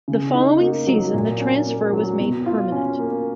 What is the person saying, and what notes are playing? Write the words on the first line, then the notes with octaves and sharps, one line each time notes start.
The following season, the transfer was made permanent.
C#3
D#4
A#3
F#3
A#2
C#4
A#3
F#3
B2
F4
C#4
A#3